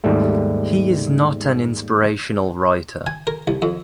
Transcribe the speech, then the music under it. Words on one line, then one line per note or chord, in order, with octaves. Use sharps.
He is not an inspirational writer.
D#2 G#2 G3 A3
G#5
A#4
C2
F2